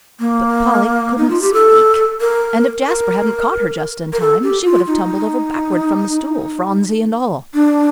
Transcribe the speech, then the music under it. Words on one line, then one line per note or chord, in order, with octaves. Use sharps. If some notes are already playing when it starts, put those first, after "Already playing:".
But Polly couldn't speak; and if Jasper hadn't caught her just in time, she would have tumbled over backward from the stool, Phronsie and all!
A#3
D#4
F4
G4
A4
A#4
A#4
A#4
A4
G4
F4
D#4
D4